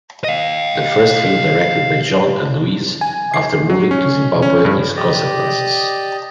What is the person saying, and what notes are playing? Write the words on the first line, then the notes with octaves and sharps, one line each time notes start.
The first film directed by John and Louise after moving to Zimbabwe is "Consequences".
D#5 F5
G#5
C7
F#3
C#4
C#4
G2
G4 D5 D#5